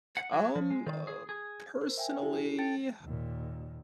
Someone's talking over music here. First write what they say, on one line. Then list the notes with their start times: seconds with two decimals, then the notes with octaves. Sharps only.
Um, uh, personally,
0.17 F#5
0.32 F#3
0.55 F3
0.70 G#3
0.86 D#3
1.07 G#4
1.29 G#4
1.81 A#4 C5
1.98 E5 G5 G#5
2.22 D4 E4 G4 A4
2.59 A4 G5 A5 A6 D7
3.02 D#2 A#2